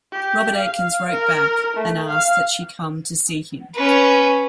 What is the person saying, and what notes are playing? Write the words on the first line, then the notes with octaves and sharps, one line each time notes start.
Robert Atkins wrote back and asked that she come to see him.
G4
F5
A#4
A3
F5
C#4 B4